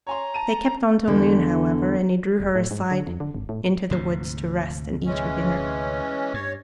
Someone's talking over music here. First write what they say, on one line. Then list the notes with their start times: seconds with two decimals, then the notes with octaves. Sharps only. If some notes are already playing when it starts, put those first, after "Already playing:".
They kept on till noon, however, and he drew her aside into the woods to rest and eat her dinner.
0.07 C#5 G#5 A#5 C6
0.34 A5 D#7
1.08 E2 D3
2.40 E1
2.55 A2
2.71 G#2
2.91 D3
3.07 F2
3.20 D3
3.35 G#1
3.49 A2
3.91 D2 G#2 C3
5.06 E3 G#3 C#4
6.34 G2 C#5